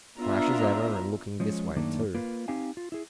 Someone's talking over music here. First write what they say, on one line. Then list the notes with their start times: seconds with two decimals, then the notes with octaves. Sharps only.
"Flash as ever, and looking this way, too."
0.19 B3 D4 F4 E5 A#5
1.40 F3 G#3 C#4
1.76 F#2 D#3 A3 A#3 D4 D#4
2.14 A#3 F4 B4
2.48 C4 D#4 G4 F5 G#5
2.77 F4
2.92 E4 G#4